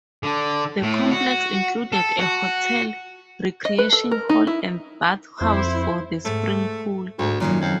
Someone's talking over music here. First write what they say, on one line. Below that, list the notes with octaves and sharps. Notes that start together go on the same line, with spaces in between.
The complex included a hotel, recreation hall and bathhouse for the spring pool.
D3
A2
F#4
A4
F#4
D#5
B4
A4
A#4
D#4
E4
F2 E4 C5
G#2 A3
D2 G#2
F#2 A#2 D#3 F#3
F2